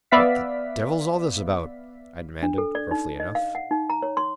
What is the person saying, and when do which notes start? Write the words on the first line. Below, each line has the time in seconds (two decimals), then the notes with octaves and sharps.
"What the devil's all this about?" I demanded, roughly enough.
0.11 B3 B4 D5 E5 F5 B6
2.43 D4
2.58 A4
2.75 D5
2.91 D#4
3.20 D#5
3.35 F5
3.55 F#5
3.71 D#4
3.90 A#5
4.02 C#5
4.17 C6